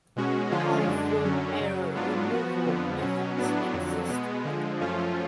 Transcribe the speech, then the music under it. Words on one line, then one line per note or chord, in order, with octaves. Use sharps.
Powerful error removal methods exist.
B2 G#3 C#4 F#4
D3 F3 G#3 C#4 F4
F#2 D3 G#3 D4
F#2 D3 F#3 C#4
F#2 C#3 F#3
G#2 F#3 B3 D4 F4
F3 B3 F#4
F2 D3 F3 B3
B2 F#3 C#4
A2 F#3 B3 D4
F2 D3 F#3
B2 G#3 B3
D3 F3 G#3
F#2 F3 A3 C#4 F4